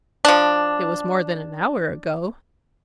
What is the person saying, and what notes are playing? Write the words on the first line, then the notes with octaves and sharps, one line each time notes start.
It was more than an hour ago.
F3 D4